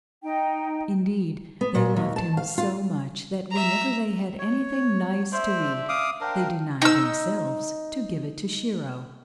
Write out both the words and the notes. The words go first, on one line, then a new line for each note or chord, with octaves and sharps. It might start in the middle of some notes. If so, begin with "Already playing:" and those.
Indeed, they loved him so much that whenever they had anything nice to eat they denied themselves to give it to Shiro.
D#4 G5
B3
A#2
D#2
A5
F5
F4
E5 A#5
C#5
D4 C5 E5
F5 D6 D#6
D4 A#4 C5 F5 G5
D#4 E6